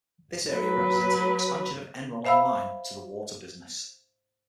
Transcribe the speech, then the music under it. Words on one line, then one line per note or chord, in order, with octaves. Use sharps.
This area represented an expansion of EnronOnline to the water business.
F#3 B4
C5 E5 F5 B5 E6